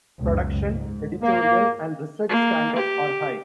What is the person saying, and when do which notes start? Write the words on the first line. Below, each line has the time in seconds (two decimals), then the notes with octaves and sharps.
Production, editorial and research standards are high.
0.21 C#2 F#2 B2
0.69 G#2
1.22 A#3
2.29 A#3
2.76 G4